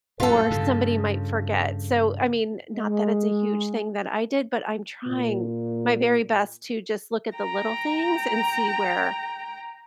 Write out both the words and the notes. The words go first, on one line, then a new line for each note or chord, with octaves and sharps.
or somebody might forget, so, I mean, not that it's a huge thing that I did, but I'm trying my very best to just look at the little things and see where
F#2 A2 F4 A4
G2 C#3
G#3
A#2
G5 A#5